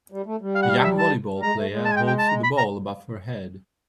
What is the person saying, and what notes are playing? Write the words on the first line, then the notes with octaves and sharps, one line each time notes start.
A young volleyball player holds the ball above her head.
G3
A3
G3
F5
F#5
F5
E5
A5
G3
G#3 A#5
A3
G#3
A5
G#5
G5
G5
A5
A#5
B5
A#5